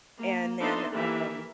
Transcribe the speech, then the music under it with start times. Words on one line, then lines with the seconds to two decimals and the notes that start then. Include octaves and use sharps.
and then, um,
0.20 A#3
0.60 B3 D4 D#4 A4 E5 C6
0.91 E3 A#3 G4 A#4 E5